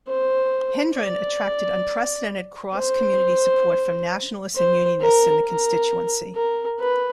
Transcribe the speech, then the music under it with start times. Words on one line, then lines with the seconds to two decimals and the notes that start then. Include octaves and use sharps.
Hendron attracted unprecedented cross-community support from Nationalists and Unionists in the constituency.
0.08 C5
0.98 D5
2.77 C5
4.56 C5
5.01 A#4
5.46 A#4
6.35 A#4
6.80 B4